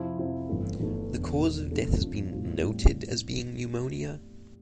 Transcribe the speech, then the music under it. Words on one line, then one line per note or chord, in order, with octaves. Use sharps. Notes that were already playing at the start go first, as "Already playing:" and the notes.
The cause of death has been noted as being pneumonia.
Already playing: F2 C3 F3 C4 E4
F2 C3 F3 C4 E4
G1 G2 E3 A3
G1 G2 E3 A3
E1 E2 D3
E1 E2 D3
F2 C3 F3 A3 D4
F2 C3 F3 A3 D4
A2 G3 C4 F4
A2 G3 C4